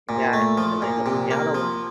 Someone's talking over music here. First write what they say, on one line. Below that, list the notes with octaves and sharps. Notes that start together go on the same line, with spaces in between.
Yeah. It really helps me out a lot.
A#2
A3
F3
A#2
C3
A#3
F3